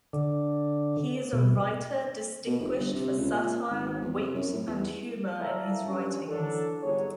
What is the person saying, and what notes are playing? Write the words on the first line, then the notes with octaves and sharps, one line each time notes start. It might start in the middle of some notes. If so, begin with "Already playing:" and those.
He is a writer distinguished for satire, wit and humour in his writings.
D3
B2
B2
F1
G1
C3
C#2
A#2
G#1
E2
C3
F#2
A2
E2
E4 A4 A#4 D5 E5 F5
G2 C#4
E3 F#3 D4 A4
G1 G#2 F#3 G#4 C#5